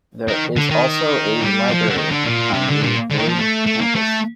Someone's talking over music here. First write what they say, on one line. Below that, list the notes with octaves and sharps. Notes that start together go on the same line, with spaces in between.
There is also a library on the Broome Campus.
D#3
D3
D#3
G3
F3
D3
D#3
D3
A#2
C3
D3
A#2
D3
D#3
F3
A3
A3
A#3
A3